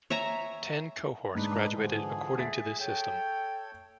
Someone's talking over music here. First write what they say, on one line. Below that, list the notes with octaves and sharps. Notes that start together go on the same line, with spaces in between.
Ten cohorts graduated according to this system.
C#5 E5 G#5 A#5
G#2 D4 D#4 B4
D3 E3 F3 G#4
E5 A6 B6
A4 C#5 G5